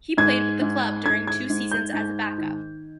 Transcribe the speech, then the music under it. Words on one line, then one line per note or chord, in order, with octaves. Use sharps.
He played with the club during two seasons, as a backup.
G#2 G#6
G#2
G#2 G#6
G#6
G#2
G6
G#2
D#3